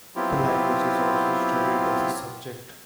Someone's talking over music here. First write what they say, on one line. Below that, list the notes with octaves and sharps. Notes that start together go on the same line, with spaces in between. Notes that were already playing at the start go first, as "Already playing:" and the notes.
The language is also studied as a subject.
F#3 B3 C4 E4 F4 G4